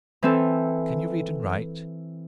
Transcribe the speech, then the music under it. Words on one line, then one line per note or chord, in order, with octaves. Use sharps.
"Can you read and write?"
E3 C4 A4